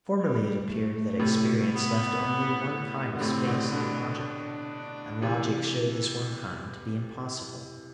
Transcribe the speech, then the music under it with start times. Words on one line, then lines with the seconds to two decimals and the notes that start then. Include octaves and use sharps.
Formerly it appeared that experience left only one kind of space to logic, and logic showed this one kind to be impossible.
0.19 G3
0.70 A3
1.19 A2 C3
1.70 B3
3.15 D3
3.20 A2 C3 C4
3.46 B2 D3
3.71 B2 D3 D4
4.22 D4
5.22 C3 E3